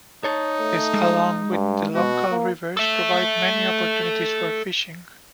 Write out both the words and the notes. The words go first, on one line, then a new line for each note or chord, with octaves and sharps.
This along with the local rivers provide many opportunities for fishing.
D#4 C#5 A5
A3
G#3
G2
B2 F#4
A#3
A4 E5